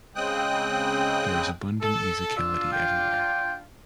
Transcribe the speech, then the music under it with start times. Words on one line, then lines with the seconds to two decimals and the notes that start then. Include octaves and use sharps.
There is abundant musicality elsewhere.
0.15 C#3 G#3 C4 G5 D#6 F#6
1.81 A4
2.36 D4 F4 E6
2.73 G5